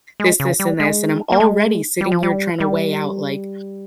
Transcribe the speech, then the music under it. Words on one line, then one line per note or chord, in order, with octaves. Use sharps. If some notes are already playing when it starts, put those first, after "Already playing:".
this, this and this, and I'm already sitting here trying to weigh out, like,
G#3
C#3
G3
G#3
A#3
G#3
G3
F3
G3
G3